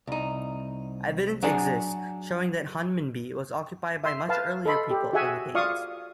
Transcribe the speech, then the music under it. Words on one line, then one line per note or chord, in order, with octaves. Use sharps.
Evidence exists showing that Hunmanby was occupied by much earlier people than the Danes.
C2 D#4
F#3 D4 G#4 F#5
E5 C6
B4 F5 A5
A4 D#5 B5 C6
G4
F#4 G#4 E5 F#5 G#5
F4 D5 F5 C#6 D#6